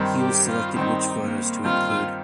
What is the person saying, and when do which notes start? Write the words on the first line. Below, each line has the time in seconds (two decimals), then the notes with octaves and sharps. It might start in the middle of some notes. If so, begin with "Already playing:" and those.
Hughes selected which photos to include.
Already playing: G2 D#3 C4
0.18 G4
0.48 F4
0.76 G2 D#3 C4 D#4
1.21 A#3
1.65 G2 D#3 C4 F4